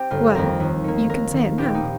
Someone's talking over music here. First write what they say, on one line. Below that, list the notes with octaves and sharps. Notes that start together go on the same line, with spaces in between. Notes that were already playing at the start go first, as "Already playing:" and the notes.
"Well;--you can say it now."
Already playing: C4 G4
G1 F4
F2 D#3 C4 A#4
D#2
D#3 A#3
D#2 A#4
D#3 A#3
A#1 G4
D#4
A#2